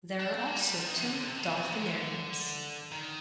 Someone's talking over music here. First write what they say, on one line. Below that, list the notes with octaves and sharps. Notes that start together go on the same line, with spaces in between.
There are also two dolphinariums.
D4
C4
A#3
G3
F3
D#3
C3
D3
D3
C3
D3
C3
C3
D3
D#3